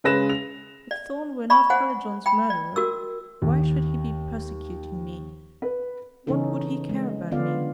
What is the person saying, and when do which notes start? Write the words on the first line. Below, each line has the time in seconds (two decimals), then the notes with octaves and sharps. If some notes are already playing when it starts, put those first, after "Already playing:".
If Thorn were not Hallijohn's murderer, why should he be persecuting me--what would he care about me?
0.04 C#3 G#3 B4 A#6 E7
0.29 F7
0.91 D5
1.50 D5 B5 C#6
1.70 C5 F#5 G#5
2.26 G5 B5
2.50 D5
2.76 F#4 A#4 E6
3.42 D#2
5.62 B4
6.27 C#3 E3 B3 C#4 D#4 A4
6.89 G#3
7.31 D3 B3 F4 D5 F5